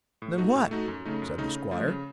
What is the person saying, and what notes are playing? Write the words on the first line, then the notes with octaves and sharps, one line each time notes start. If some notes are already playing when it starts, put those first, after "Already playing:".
"Than what?" said the Squire.
A2
A3 D#4 F#4
A2
A3 D#4 F#4
F#2
C#3 A3 D#4
F#2
C#3 A3 D#4
C#3
F3 A3
C#3